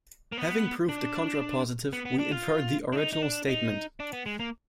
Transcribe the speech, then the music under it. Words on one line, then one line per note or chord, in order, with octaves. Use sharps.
Having proved the contrapositive, we infer the original statement.
A#3
B3
D4
B3
B3
D4
F4
D4
D#4
D#4
D4
D#4
D4
B3
G#3
A#3